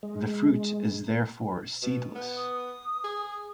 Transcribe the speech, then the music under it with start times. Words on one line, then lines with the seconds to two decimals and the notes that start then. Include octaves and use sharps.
The fruit is therefore seedless.
0.03 G#3
1.83 B2
2.15 B3
2.37 D#6
3.04 G#4